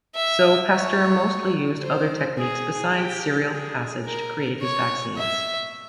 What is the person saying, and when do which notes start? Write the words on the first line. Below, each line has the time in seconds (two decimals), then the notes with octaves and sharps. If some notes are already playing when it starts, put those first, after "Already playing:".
So, Pasteur mostly used other techniques besides serial passage to create his vaccines.
0.15 E5
0.71 C#5
1.82 C5
2.38 G#4
2.94 G4
3.50 G#4
4.06 A#4
4.61 C#5
5.17 E5